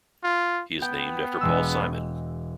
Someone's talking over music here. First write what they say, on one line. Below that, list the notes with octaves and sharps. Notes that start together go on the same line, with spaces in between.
He is named after Paul Simon.
F4
B3 G5
E1 G#3 E6